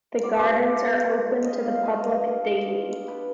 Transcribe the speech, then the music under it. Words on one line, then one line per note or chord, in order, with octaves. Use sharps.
The gardens are open to the public daily.
G3 B3 F4 D5
D5
G3 B3 F4
F3 G#3 C4
F3 G#3 C4 D#5
F5
D#5
F5
G3 B3 D4 F4 D#5
G3 B3 D4 F4
G3 D4 F4
G3 D4 F4 B4